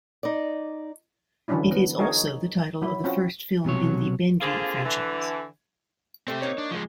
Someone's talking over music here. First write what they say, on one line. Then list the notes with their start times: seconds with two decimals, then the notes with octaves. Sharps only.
It is also the title of the first film in the "Benji" franchise.
0.23 D#4 D5
1.48 D3 E3 F#3 C#4 D4 E4
1.71 B3
1.99 D4 D#4 F#4 G#4 A#4 C#5
2.82 F#3 E4
3.04 C4 C#4 F4 F#4
3.65 B1 C3 F#3 C#5
4.40 D3 A#3 C4 F4 G#4
4.84 D3 E3
6.28 A3 C4 G4
6.42 A#3 D#4 C#5
6.58 D4
6.71 F3 G#3